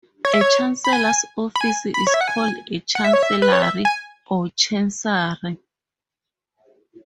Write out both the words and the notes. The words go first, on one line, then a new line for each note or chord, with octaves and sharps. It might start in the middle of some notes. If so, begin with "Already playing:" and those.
A chancellor's office is called a chancellery or chancery.
C#5
E5
C#5
B5
G#5
B5
G#5
B5
C#5
E5
F#5
G#5
F#5
E5
C#5
E5
B4
C#5
E5
G#5